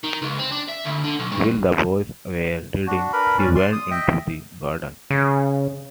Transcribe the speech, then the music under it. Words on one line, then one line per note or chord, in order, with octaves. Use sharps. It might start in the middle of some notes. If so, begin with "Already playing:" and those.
While the boys were reading, she went into the garden.
D#3
C#2
C4
D4
E5
D2
D3
B1
G2
D4 F#4
D4 A#4 B4 B5
C#4 D5
D5 C6
D#6
D#5 E5 G5
C#3